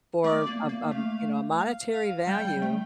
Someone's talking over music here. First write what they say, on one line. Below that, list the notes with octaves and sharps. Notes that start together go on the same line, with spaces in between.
for, um um, you know, a monetary value,
A3 D5
A#3
A#3
A3 F5
F5
F5
G3 G5
G3
A3